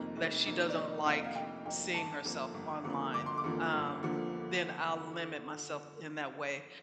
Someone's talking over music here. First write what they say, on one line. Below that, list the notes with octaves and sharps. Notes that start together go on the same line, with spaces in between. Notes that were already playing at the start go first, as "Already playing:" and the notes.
that she doesn't like seeing herself online, um, then I'll limit myself in that way,
Already playing: F1 F2 D#3 A#3 D#4
F1
F2 D#3 A#3 D#4
D5
F1 D#5
F2 D#3 A#3 D#4 F5
F5
F1 G5
F2 D#3 A#3 D#4 G5
G1 A5
F2 D3 F3 A#3
G1
F2 D3 F3 A#3
G1 D6
C6
D6
F2 D3 F3 A#3
G1
D3 F3 A#3